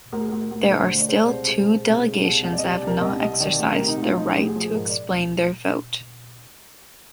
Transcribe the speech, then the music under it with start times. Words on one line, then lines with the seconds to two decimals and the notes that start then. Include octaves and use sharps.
There are still two delegations that have not exercised their right to explain their vote.
0.13 D2 A#4
0.20 G#4
0.28 D2 A#4
0.41 A#4
0.51 D2
0.70 D3 C5
0.90 D2
0.99 D5
1.09 G#3 C5
1.18 D5
1.28 C2 C5
1.48 G#3
1.67 G#3
1.86 C2
2.05 G#3
2.25 C2
2.44 C2
2.53 D5
2.58 G3 D#5
2.73 D5
2.83 C3 A#4
3.01 C2 D#5
3.21 C2 D#5
3.40 D#3 D5
3.59 D2
3.74 C3 A#4
3.88 D#4
3.97 D2
4.03 F4
4.17 F3 D#4
4.32 D2 G4
4.46 G#4
4.56 F3
4.61 G#4
4.75 G#2 A#4
4.89 D5